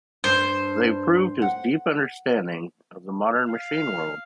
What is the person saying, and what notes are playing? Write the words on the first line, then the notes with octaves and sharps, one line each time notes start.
They proved his deep understanding of the modern machine world.
G2 D4 C5
F#5
F5